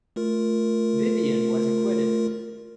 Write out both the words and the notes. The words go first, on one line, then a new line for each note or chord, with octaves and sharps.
Vivian was acquitted.
A3 F4 A#4